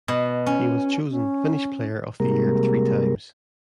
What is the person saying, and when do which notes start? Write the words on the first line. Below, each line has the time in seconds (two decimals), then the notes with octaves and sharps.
He was chosen Finnish Player of the Year three times.
0.08 B2
0.46 C#4
1.10 C#4
2.20 C3 G3 G#3 A#3 A#4